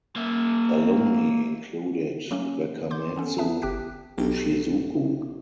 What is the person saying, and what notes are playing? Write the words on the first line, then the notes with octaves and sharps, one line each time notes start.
Alumni included Wakamatsu Shizuko.
A#3 E5
F#3 A3 A#3 C#4
C6 D6 G6
E3 B3 C#4 A4
G#4 B4 E5 A5
G1 G4 G5 F#6 B6
B1 D4 G4 A4